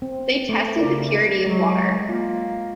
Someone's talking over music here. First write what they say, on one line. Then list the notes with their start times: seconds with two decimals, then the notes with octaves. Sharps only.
They tested the purity of water.
0.02 C4
0.49 A3
0.79 C#3 A#4 D5
1.46 F#3 G#3
2.09 A#3 F4